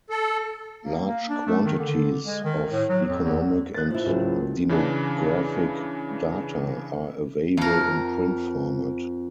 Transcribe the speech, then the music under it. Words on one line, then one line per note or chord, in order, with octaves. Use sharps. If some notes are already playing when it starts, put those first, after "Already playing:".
Large quantities of economic and demographic data are available in print format.
A4
A#3
A#3
D4
A3
D#3
D3
G#3
D#3
A2
F#3
F2
E2
F#6 A6
F3 E4
C#2 F#3 A#3
C#3 E3 D4
F2 A#4